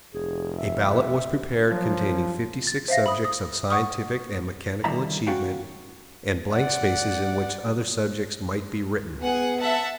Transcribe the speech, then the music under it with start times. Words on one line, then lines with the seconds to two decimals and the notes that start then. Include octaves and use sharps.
A ballot was prepared containing fifty-six subjects of scientific and mechanical achievement and blank spaces in which other subjects might be written.
0.15 F1 G#4
0.59 E5
1.70 F3 F#3
2.67 A6
2.88 C5 E5 F5 A#6
3.06 B5 D#6
3.25 D#6
3.70 F#5 C#6 D#6
4.84 D3 D#3 G3 E4 E5 A#5
5.27 C#4 F4 F#4 F5 G5
6.52 D5 F#5
9.22 B3 G#4 F#5
9.61 E5 F#5 A5